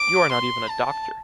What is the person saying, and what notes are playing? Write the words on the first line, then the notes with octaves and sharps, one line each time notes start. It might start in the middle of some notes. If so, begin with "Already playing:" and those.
You are not even a doctor!
Already playing: D6
C6
A5